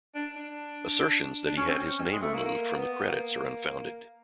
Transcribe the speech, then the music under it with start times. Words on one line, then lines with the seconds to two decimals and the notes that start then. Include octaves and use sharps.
Assertions that he had his name removed from the credits are unfounded.
0.15 D4
0.36 D4
1.46 D4
1.57 C#4
1.69 C4
1.79 C#4
2.01 G3
2.12 G#3
2.22 A3
2.34 A#3
2.45 A#3
2.78 B3
3.10 A#3